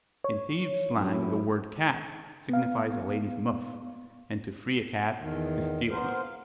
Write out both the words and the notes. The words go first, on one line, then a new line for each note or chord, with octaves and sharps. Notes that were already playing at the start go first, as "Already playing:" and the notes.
In thieves' slang the word "Cat" signifies a lady's muff, and "to free a cat" to steal a muff.
C#5
A1 F#2 E4
B3 F5
E2 D#3
B3 A#4 C5
F5